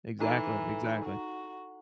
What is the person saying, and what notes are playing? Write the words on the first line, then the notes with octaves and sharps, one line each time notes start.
Exactly, exactly.
E3 D#4 A4 A#5
F#4